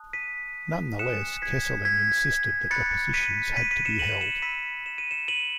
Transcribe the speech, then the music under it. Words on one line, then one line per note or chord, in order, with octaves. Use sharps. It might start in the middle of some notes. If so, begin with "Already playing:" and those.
Nonetheless, Kesselring insisted that the positions had to be held.
Already playing: A5 D#6 F#6
B6 D#7
G#5 D#6 F#6 C#7 E7
G#6 B6
G#6 B6
B5 F#6 A6 C#7
B6 D#7
B6 D#7
B6 D#7
C#7 E7
D#7 F#7
C#7 E7
B5 E6 B6 D#7
E7
D#7
C#7 E7
D#7 F#7